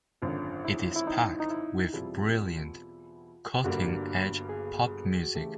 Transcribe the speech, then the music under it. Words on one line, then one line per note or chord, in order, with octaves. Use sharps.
It is packed with brilliant, cutting-edge pop music.
G#1 F#2 D3 F4
E4
E4
D#4
D#4
E4
E2 B2 G3 C4 E4 F4
G1 G2 D3 G3 A#3 F#4
G#4
F#4
C#3 E3 A3 G4